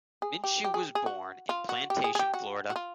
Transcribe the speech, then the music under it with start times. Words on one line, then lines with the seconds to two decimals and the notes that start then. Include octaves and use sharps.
Minshew was born in Plantation, Florida.
0.22 G#4
0.44 G4
0.64 G4
0.74 G#4
0.95 G#4
1.06 F#4
1.49 F4
1.69 F#4
1.90 G4
2.04 G#4
2.15 G#4
2.19 G4
2.34 F#4
2.70 F#4
2.76 F4